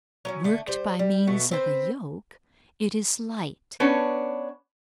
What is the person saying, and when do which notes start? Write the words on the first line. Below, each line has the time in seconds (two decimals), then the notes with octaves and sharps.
Worked by means of a yoke, it is light.
0.25 F#3 A#3 C#4
0.44 D3 A3
0.68 G3 C5
0.99 G3
1.27 B2 A3 F#4
1.51 C4 B4 C5
3.80 B3 C#4 D4 B4 C#5